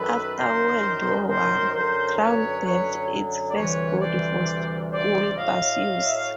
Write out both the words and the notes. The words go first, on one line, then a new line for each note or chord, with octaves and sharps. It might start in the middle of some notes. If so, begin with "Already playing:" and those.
After World War One, Crown built its first body for school bus use.
Already playing: F#2 D#3 F#3 A4 B4
A#4 C5
A#4 C5
F#2 D3 F#3 A#4 C5
B4 C#5
B4 C#5
D5
D2 C3 E3 G3 B4 C#5
C5 D5
C5 D5
A2 F#3 D#5 F5
E5
F5